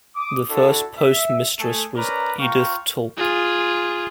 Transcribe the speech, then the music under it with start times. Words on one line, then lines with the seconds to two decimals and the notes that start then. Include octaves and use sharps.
The first postmistress was Edith Tulk.
0.16 D6 D#6
0.49 D4 E4 F#4 A4
0.98 E5
1.60 A3 G#4 A4
1.97 C#4 A#4 B4 C#5 D5 A#5
2.40 F4 F5 G5 A#5 C#6
3.17 F4 G#4